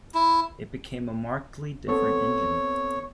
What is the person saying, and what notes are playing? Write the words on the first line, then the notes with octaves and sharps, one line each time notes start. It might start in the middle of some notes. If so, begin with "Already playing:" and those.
It became a markedly different engine.
E4
B3 C4 A4 C#5